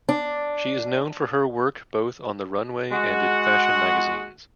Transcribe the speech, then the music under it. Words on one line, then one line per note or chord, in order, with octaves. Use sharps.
She is known for her work both on the runway and in fashion magazines.
D4
G#3 F#4 F#5